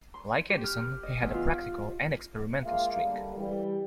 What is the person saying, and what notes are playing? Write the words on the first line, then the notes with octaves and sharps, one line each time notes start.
Like Edison, he had a practical and experimental streak.
C6
G4
F6
D#5
E2
F4
G#3 A#3 F4 E5 F5
D3 G3 A#3
E3 G3